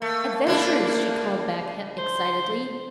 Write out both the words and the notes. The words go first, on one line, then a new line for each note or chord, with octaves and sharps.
"Adventures!" she called back excitedly.
A3 A#3
C#3 D4 E4
C5